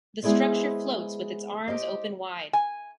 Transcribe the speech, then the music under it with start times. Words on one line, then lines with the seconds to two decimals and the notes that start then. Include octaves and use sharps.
The structure floats with its arms open wide.
0.23 G#3 B3 E4 G#4 C5 D5
1.68 G4 C5 D#5
2.53 G#5